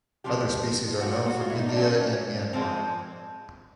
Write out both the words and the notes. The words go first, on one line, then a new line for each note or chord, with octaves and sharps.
Other species are known from India and Myanmar.
C3 F3 G#3 G4
A#2 F#3 A3 F#4
F#4
F4
E4
D#4
D4
A#2 F#3 A3 C#4
D3 F3 G#3 C4